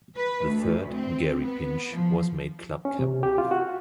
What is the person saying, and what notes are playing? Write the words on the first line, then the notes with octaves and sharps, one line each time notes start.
The third, Gary Pinch, was made club captain.
B4
D2
C4
B3
F3
C#4
C3
G4
F4
F#4